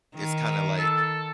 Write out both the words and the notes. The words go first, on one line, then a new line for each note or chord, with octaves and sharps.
it's kinda, like
D#3
A4